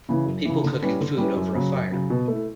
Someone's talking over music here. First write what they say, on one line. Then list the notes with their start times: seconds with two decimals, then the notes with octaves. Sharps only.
People cooking food over a fire.
0.09 C#3 E3
0.26 F#2
0.45 C#3 E3
0.64 D3
0.82 G3 C#4 E4 B4
1.01 D3
1.18 G3 C#4 E4 B4
1.36 F#2
1.55 C#3 F#3
1.73 F#2
1.92 C#3 F#3
2.10 B2
2.28 A3 E4